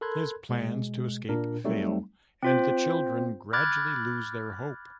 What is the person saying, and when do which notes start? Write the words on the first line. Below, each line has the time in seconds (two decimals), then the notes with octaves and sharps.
His plans to escape fail, and the children gradually lose their hope.
0.01 A4 A#4 B5 C6 F#6 G#6
0.49 B2 G#3
1.29 A#2 D4 A#4
1.64 F#3 G3 A3 C4 D#4
2.43 C4 F4 C5
3.53 B5 D6 F6 F#6 G#6 A6